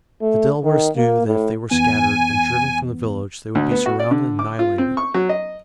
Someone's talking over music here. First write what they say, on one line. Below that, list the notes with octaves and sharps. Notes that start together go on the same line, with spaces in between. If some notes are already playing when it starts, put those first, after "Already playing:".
The Delawares knew that if they were scattered and driven from the village they would be surrounded and annihilated.
A3
D#3
A#3
A2
F2 E3 B3 G#5
D2
B3
F#4
D5
D3
D6
F4
C4
C#6
F#3
D#5